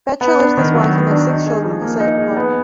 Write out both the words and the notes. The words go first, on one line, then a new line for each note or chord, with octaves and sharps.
Becher lives with his wife and their six children in Passaic Park.
B3
D4
D#3
F#3
B3
D4
D#4
G#4
F3
A#3
D#4
G#4
B3